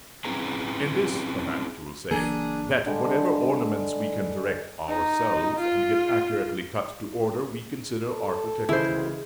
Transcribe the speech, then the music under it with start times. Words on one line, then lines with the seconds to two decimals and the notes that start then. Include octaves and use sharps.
In this, perhaps, you will say; that whatever ornaments we can direct ourselves, and get accurately cut to order, we consider architectural.
0.25 C4 C#4 E4 G#4 B4 A#5
2.11 F#1 E3 A#3 D4 G#4
2.86 D3 G3 G#3
4.88 D#4
5.60 F4
8.09 A4
8.69 C#3 E3 G#3 E4 C5